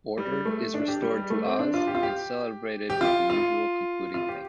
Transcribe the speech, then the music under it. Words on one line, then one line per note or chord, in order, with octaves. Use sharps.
Order is restored to Oz, and celebrated with the usual concluding banquet.
G3
A3
D4
G4
G3
G3
A3
C4
D4
F4
G4
F4
G4
G4
F4
F4
F4
G4